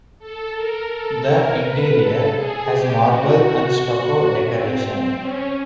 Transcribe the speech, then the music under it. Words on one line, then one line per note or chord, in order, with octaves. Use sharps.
The interior has marble and stucco decoration.
A4
A#4
A4
A#4
B4
A4
G#4
G4
F#4
C4
C4
C#4